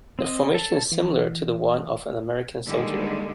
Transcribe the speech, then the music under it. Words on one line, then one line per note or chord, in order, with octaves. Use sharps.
The formation is similar to the one of an American soldier.
C4 D#5
A4 A5
E3
D3 D#3 G3 G#3 A#3